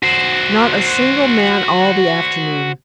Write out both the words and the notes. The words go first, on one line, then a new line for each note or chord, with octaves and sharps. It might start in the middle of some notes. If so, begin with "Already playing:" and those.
Not a single man all the afternoon.
F#4 C5